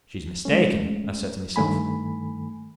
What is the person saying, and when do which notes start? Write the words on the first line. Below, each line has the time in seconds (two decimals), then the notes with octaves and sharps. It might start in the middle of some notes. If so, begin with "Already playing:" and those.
'She's mistaken, I said to myself.
0.45 G#3 A3 C#4
1.56 G2 D#3 A3 G#5 B5